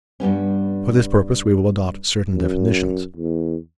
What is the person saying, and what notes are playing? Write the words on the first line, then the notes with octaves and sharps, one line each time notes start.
For this purpose we will adopt certain definitions.
G2 G3 B3 C#4
F#2
E2